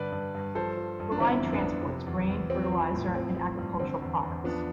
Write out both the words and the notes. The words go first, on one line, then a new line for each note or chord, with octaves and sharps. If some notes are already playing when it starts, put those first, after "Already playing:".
The line transports grain, fertilizer and agricultural products.
Already playing: G2 D3 B4 D5
G2
G2
F3 A4 C5
F3
G2
D4
D3 C4 E4
F2
B3 D4
F2
C3
E2
E2
F3 C4
F3
A2
F3 C4
F3
G2
D3 C4
E2
E2
F3 B3 D4